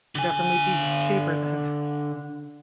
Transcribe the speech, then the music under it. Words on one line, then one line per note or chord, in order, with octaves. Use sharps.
definitely be cheaper than
D3 G#5